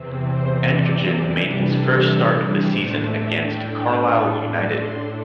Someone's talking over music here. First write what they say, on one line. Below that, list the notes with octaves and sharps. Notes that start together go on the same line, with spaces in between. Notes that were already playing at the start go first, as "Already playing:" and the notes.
Ankergen made his first start of the season against Carlisle United.
Already playing: E2 C3 E3 C4
C5
D5
C3 E3 G3 D4
A4
A2 A3 D4 C5
E5
G5
A2 A3 D4 A4
D5
C6